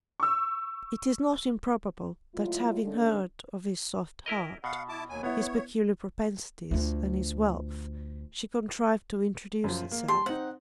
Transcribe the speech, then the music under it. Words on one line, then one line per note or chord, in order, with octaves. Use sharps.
It is not improbable that having heard of his soft heart, his peculiar propensities, and his wealth, she contrived to introduce herself.
C#6 E6
F#3 G#3 A3 E4 F4
D3 D#3 G#3 A3 C#4 D4
E4 A#4 D#5
B2 F5 F#5
E4 A5 D6
D#2 F#3 G#5
B3 E4 C#5
D2 F4
F#2 F3
A#3
G4 A5 C6
C4 D#4 F#5